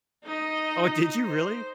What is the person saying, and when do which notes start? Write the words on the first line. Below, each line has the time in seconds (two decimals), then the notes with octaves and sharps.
Oh, did you really?
0.25 D#4 D#5
1.24 C5